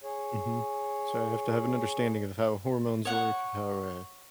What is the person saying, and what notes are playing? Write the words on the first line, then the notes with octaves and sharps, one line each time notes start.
Mhm, so, I have to have an understanding of how hormones work, of how, uh,
G#4 C#5
C#5 F#5